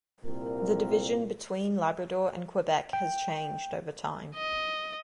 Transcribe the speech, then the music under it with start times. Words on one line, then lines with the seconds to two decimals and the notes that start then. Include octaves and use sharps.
The division between Labrador and Quebec has changed over time.
0.25 C2 A#2 C4 A#4
2.93 G5
4.35 D#5